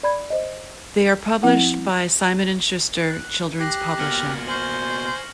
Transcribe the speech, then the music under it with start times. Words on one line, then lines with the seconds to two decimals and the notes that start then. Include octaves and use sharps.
They are published by Simon and Schuster Children's Publishing.
0.03 D5 B5 G#6
0.30 C5 D#5
1.43 F3 C4 E4 F#5
3.10 F#6
3.59 G4 F#6 A#6 C7
3.99 B2 A#3 F6 C#7 F#7
4.48 C5 G#5 C#6 F6 F#7